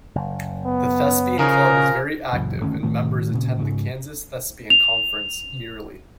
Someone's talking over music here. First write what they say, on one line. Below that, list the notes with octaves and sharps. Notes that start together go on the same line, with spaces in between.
The Thespian club is very active and members attend the Kansas Thespian Conference yearly.
F#1
B3
C#3 F3 D#4 A#4 G#5
C#2 F#2 A#2 E3
G#1 D2 G2 C#4
A2 D#3 A3
A#2 C#3
G#2 C#3
F7